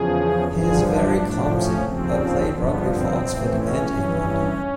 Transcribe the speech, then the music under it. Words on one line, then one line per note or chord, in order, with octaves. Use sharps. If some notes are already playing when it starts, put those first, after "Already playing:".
He is very clumsy, but played rugby for Oxford and England.
Already playing: E2 C#3 F3 G#4
G2 D3 F3 G#4
D4
A2 F3
C#4
D#2 C#3 F3 C4
G2 D3 F3 B3
C4
A2 E3
C#4
G2 E3